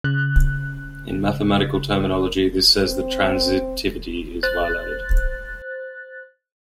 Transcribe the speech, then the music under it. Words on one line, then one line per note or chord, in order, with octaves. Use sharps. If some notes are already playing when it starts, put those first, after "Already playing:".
In mathematical terminology, this says that transitivity is violated.
C#3 F#6
C4
C5 F#6 A6